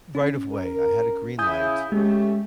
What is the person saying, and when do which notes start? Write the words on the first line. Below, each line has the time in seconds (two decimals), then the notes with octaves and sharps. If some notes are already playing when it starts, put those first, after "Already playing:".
right of way, I had a green light,
0.15 C#4
0.51 A#4
1.39 C#3 E4 G#5 D#6 G6
1.92 G#3 A3 C#4 G4